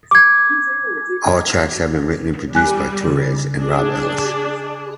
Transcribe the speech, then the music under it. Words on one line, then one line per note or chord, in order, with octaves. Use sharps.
All tracks have been written and produced by Torres and Rob Ellis.
D6 G#6
G3 G#5 F#6
C#3
D4 G#4